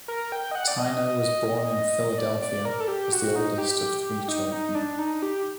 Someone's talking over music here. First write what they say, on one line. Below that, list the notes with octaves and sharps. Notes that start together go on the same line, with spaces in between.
Tyner was born in Philadelphia as the oldest of three children.
A#4
G5
D#5
F#5
D5
D#5
D5
D5
A#4
A4
G4
F#4
D#4
G4
D#4
D#4
D4
D#4
G4